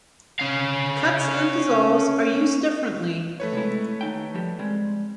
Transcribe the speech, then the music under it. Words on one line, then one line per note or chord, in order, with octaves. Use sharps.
Cuts and dissolves are used differently.
C#4 F5
A3 B4 C#5
C3 G#3 E4
D#2 D#4 G5
F3 G3 G4
G3 G#3 C4